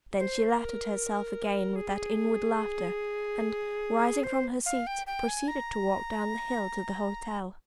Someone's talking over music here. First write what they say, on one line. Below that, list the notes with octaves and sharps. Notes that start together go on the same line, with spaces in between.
Then she laughed at herself again with that inward laughter, and, rising from her seat, proceeded to walk down the hill to the hotel.
C5
A#4
G#4
C5
F5
G5
G5
G#5
A#5